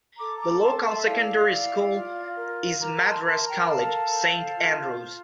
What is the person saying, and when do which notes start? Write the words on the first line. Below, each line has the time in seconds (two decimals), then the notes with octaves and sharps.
The local secondary school is Madras College, Saint Andrews.
0.17 A4 A#5 D6
0.38 A#5 D6
0.60 A4 A5 C6
0.83 A5 C6
0.96 E5
1.04 E4 D5 F5
1.48 E4
1.92 F4
2.36 A#4
2.80 A#4 A#5 D6
3.02 A5 C6
3.24 A#4 A5 C6
3.45 G5 A#5
3.63 G5
3.67 A4 F5 A5
4.12 C5
4.56 F4
4.99 F4